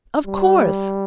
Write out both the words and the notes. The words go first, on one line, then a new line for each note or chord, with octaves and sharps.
'Of course.
G3